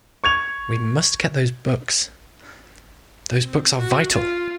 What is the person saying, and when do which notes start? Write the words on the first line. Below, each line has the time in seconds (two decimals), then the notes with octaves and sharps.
We must get those books; those books are vital.
0.24 C#6 G#6 F7
3.43 C4
3.78 F#4
4.13 F4